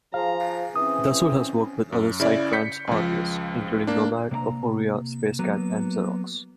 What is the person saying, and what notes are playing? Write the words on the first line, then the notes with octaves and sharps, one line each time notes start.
Dassulle has worked with other psytrance artists, including Nomad, Oforia, Space Cat, and Xerox.
F3 G#4 F5 G#5 A#5
E3 C4 C#4 D#6
F#2
C#3 E4 D5
G6 B6 C#7
C#2 F3
A#3 D4
C3 A#3 F5 A#5
F#3 A#3 B3